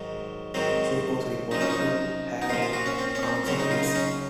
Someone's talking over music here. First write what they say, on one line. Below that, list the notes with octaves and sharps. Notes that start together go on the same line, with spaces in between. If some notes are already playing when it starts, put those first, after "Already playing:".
She was reported to have answered "Yes".
Already playing: G#2 D#3 F#3
G#2 D#3 F#3 C4
F#2 F3 D#4
C#4
D#4
D#4
A#2 F3 F4
F4
F#4
C#4
C4
C#4
C4
F#2 C#3 F#3 C#4
D#4
F4
D#4
C#4